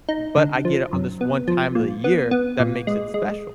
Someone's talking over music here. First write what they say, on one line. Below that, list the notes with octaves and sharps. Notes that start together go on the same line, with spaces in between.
but I get it on this one time of the year, that makes it special.
D#4
D3
F3
F#2
B3
F3
A#2
B3
B3
A#2
G#3
G#3